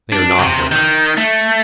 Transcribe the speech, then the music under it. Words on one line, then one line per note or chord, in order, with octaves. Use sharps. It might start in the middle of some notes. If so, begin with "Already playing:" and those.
"They are not aware of it."
D4
C3
D#3
A3